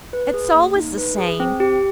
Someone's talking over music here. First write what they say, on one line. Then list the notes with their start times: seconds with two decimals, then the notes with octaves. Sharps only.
It's always the same.
0.13 B4
0.34 G#4
0.55 A#3
0.76 D#4
0.97 B4
1.18 G#4
1.40 C4
1.60 G4